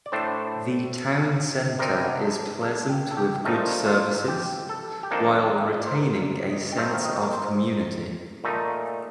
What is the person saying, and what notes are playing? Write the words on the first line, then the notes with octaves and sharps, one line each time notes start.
The town centre is pleasant with good services, while retaining a sense of community.
D5
A2 A3 D4 C5
C3 G3 C4 D#4 A#4
A4
A4
G4
A4
G4
A#2 F3 A3 D#4
F4
G4
A4
G4
F2 D#3 A#3 D4 A4
D#5
D5
C5
A#4
D5
D#5
G5
D#3 A3 C4 D#4 F5
F5
D#5
A#4
C5
A#2 A3 D#4